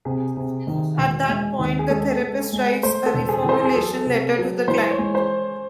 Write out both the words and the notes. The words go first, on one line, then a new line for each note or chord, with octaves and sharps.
At that point the therapist writes a reformulation letter to the client.
C3 G#4
C3
D#3
E1
G#3
D#2
G#4
G#3 A4
G#3
G#3
A3 C5
A4
E1
G#4
E2 C5
A4
G#4
F#3 A4
C3
F#3
E3 C5
C#5
G#3
C5